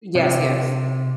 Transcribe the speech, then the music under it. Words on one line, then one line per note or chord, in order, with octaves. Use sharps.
Yes, yes.
C3